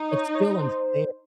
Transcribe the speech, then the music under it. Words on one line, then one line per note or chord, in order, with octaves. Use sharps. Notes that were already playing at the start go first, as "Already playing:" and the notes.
it's still unfair,
Already playing: D#4
C#5
C#5
C5